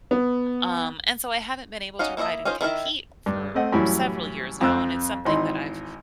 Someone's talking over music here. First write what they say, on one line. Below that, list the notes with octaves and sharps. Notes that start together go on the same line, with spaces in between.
um, and so I haven't been able to ride and compete for several years now, and it's something that I've
B3
C#4 D#4 F#4 F5
A#3 E4 C#5 D#5 E5
C#4 D#4 F4 A#4 C5
D#3 E4 A#4 E5
G2
A3 C4 D#5 F#5
F#2 A2 E3 G3 E4
F2 C4 E6 F#6
G#1 E3 D#4 D#5 B5 C6